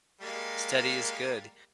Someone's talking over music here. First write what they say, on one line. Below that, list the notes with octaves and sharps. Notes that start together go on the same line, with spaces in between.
Steady is good.
G3 G#3 A#3